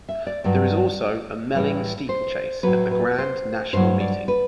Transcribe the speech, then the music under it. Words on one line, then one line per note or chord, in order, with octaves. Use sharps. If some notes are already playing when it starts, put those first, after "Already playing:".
There is also a Melling Steeplechase at the Grand National meeting.
E5
D5
G2 F#3 D5
A2 E3 G3
C5
A2 F#3 B4
B4
C5
G2 F#3 C5
D5
B4